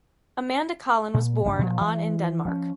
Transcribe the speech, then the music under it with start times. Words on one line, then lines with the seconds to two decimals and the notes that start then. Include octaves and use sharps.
Amanda Collin was born on in Denmark.
1.14 A#2
1.45 F#1 F#2 D#3 D4
1.59 A#2 F3
1.81 E3
2.45 F3 C#4